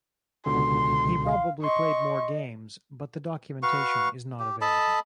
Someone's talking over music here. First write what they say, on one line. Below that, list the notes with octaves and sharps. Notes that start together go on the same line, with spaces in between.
He probably played more games but the documentation is not available.
C#2 B2 D3 C6
F5
D#5 C6 C#6
F#4 B4 F5 C#6
G4
A4 D#5 A5 B5